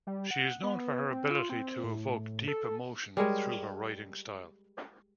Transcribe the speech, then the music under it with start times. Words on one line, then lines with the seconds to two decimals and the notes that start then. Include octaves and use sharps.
She is known for her ability to evoke deep emotion through her writing style.
0.07 G3
0.31 F#5
0.63 B3
1.11 C4
1.30 F4
1.49 C4
1.84 A2
2.48 A4
3.17 G3 G#3 A#4 C#5